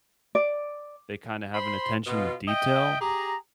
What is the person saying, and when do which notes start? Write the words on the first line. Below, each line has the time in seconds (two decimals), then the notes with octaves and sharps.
they kinda have an attention to detail,
0.35 D5
1.55 C5 B5 C6
2.07 B2 F4
2.48 D#5 E5 G5
3.01 G4 G#4 A#5